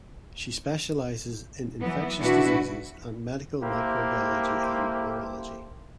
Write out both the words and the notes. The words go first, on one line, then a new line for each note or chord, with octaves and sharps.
She specialises in infectious diseases and medical microbiology and virology.
E3 F#3 B3
B2 D4 E4 F#4 B4
A#3 E4 G4 A4 C5